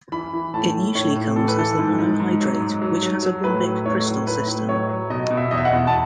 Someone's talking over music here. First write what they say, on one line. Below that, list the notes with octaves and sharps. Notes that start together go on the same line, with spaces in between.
It usually comes as the monohydrate, which has a rhombic crystal system.
E3 B5
E3
A2 A5
A2
A2 C#5
A2
E3 A4
B4
E3 A4
G#2
G#2
G#2
F#3
G#2
F#3
F#3
F#3
A2 B4
F#3
A2 C#5
F#3
A2 B4
A2
F#3 C#5
F#3
B2 D#5
B2
E5
E2 D#5
E5
F#5
B2
A5